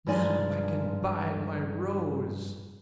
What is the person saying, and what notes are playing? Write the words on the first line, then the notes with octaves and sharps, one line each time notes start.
"Now I can buy my rose!"
G2 F3 G#3 D#4 D5 G#5